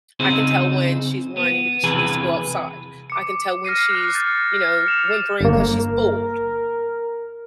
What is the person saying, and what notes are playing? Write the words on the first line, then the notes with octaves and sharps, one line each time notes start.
I can tell when she's whining because she needs to go outside. I can tell when she's, you know, whimpering 'cause she's bored
C#3 C4 D#4 G#4 C5
B3
E2 C3 E3 G#4 B4 G#5
D6 C#7
F6 A#6 C7 D#7
F6 F#6
G6 A6 C7 C#7
C#7 E7 F7
G1 A#3 A#4